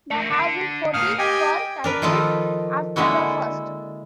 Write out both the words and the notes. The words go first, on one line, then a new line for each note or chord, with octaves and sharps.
There have been fourteen "Carl" titles after the first.
A3 A#4
D3
A2 A#3 F5 D#6 F6
G4 D#5 G5 G#5
D4 A#4 B4
D#3 F3 D#4 F4 A4
D3 G#3 A#3 E4 F#4